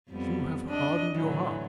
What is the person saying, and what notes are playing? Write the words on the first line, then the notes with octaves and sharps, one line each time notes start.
You have hardened your hearts.
F2 G3 B3
D4 D#5
A2 D3 E3 F#3